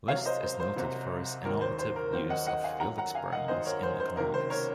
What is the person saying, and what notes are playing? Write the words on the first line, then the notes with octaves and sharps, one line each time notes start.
List is noted for his innovative use of field experiments in economics.
C2 C3 F#3 C#5 F5
C5 D#5
C5
C5
C2 C3 F#3
D#2 D#3 F#3 A#4
C5
C5
A#4
D#2 D#3 F#3 C5
D#5 F#5
D#5 F#5
F5 G#5
F#2 D#3 F#3 F#5 A#5
F#5 A#5
F5 G#5
D#5 F#5
F#2 D#3 F#3 C5 D#5
A#4 C#5
C5
C5
C#2 C3 D#3 F#3 A#4
C5
A#4 C#5